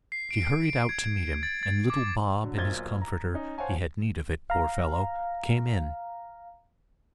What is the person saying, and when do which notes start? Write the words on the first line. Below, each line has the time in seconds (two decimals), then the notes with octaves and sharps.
She hurried out to meet him; and little Bob in his comforter --he had need of it, poor fellow--came in.
0.12 C7
0.31 D7
0.45 C7
0.65 D7
0.89 G#6
1.43 A6
1.63 A6
1.90 D6
2.43 D3 F#3
2.58 B1 A#2 C5 G#6 A6 G7
3.02 A#5
3.34 C#4 D#4
3.58 C5 C#5 F5 F#5 G#5 A5
4.50 F5 A#5